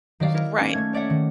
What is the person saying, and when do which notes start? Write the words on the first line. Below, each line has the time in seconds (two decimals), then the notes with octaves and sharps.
M Right.
0.20 D#3 F#3 D5 F5
0.34 E4 A#4
0.59 A#3 C#4 D#4
0.73 A3 G#6
0.93 C#5 D5 E5 F#5
1.10 D#3